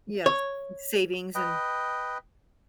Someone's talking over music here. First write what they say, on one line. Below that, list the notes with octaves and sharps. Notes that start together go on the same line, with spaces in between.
Yes, savings and
C#5
B4 D#5 G5